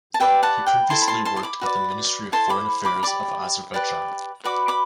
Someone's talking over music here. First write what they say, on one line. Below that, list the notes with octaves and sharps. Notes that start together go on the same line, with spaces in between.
He previously worked at the Ministry of Foreign Affairs of Azerbaijan.
A5
G4 B4 D5 E5 G5
F#5 A5
G5 B5
E4 A4 C5 A5 C6
B5
A5 C6
A5 C6
C6
B5 D6
F#4 B4 D5
E4 A4 C5 A5 C6
B5 D6
B5 D6
G4 D5 B5 D6
G4 B4 D5
F#4 B4 D5 B5 D6
B5 D6